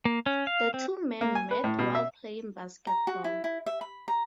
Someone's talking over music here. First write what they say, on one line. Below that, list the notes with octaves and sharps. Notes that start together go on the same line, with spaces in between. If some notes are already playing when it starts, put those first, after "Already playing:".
The two men met while playing basketball.
A#3
C#4
F5
C4
A#3
G#5
B4
A2
B2
E5
A#5
F#4
E4
E4
E5
B5
A#5